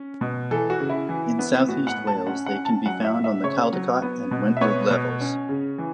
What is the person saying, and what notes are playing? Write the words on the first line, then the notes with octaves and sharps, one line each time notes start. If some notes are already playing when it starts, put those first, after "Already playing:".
In southeast Wales, they can be found on the Caldicot and Wentloog Levels.
Already playing: C#4
B2
E3 A4
F#4
C#3
E4
E3
B3
A2 F#4
F#5
A2
A5
C#4 F#5
F#5
C#4
A5
F#3 F#5
E5
A2
E5
C#3 C#5
F#3
B3
B2
E5
B3 C#5
B2
C#4
C#3
E3